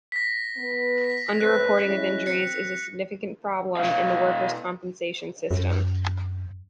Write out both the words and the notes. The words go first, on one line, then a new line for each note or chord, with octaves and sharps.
Underreporting of injuries is a significant problem in the workers' compensation system.
A#6 B6
B3
B6
F#2 C4 B4 F#6
G#3 C#4 E4
C4 C#7
B2 F5
F#2